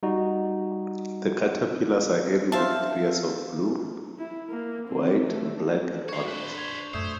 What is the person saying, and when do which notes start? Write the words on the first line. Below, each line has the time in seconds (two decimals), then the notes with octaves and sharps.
The caterpillars are hairy with areas of blue, white, black and orange.
0.03 G3 D#4 F#4
2.52 C5 E5 F5 A5
4.19 E4
4.50 A#3
4.88 C4
5.27 A3
5.94 D4
6.09 C#5 F5 C#6
6.28 B4 C5
6.55 G#6 F7
6.94 F#2 A2 A3 C5 D#6 G6 G#6